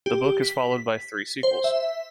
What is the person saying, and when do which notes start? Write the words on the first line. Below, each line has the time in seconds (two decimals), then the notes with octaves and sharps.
The book is followed by three sequels.
0.06 G4
0.42 B6
1.43 C5
1.64 E5